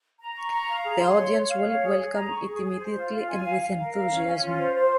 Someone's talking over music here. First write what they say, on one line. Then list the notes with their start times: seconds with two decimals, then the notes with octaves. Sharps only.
The audience will welcome it immediately and with enthusiasm.
0.19 A#5
0.36 C#6
0.51 A#5
0.67 F5
0.83 G#4
1.00 C6
1.17 C#5
1.32 C#5
1.48 F5
1.65 C#5
1.82 G#4
1.98 G#4
2.14 A#5
2.30 C#6
2.47 G#4
2.63 G#4
2.79 C5
2.96 F4
3.12 F4
3.28 G#5
3.44 F5
3.60 F5
3.76 A#4
3.93 F5
4.10 C#4
4.26 C#4
4.42 F4
4.59 C5
4.74 C5